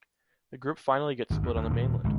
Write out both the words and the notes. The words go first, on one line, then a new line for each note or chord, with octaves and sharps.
The group finally gets split on the mainland.
G#1 G2
E2
D2
D#1 A#2
G#1 C#2